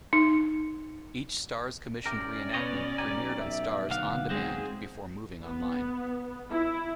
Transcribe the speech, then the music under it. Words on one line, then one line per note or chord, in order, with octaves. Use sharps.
Each Starz-commissioned re-enactment premiered on Starz on Demand before moving online.
D#4
C#4 G4 A#4 D5 E5
B2 B4 C#5 D#5
B1 G4 G#5 A#5
E5
D2 F5 F#5
G#3 C4 G#4
B3
E4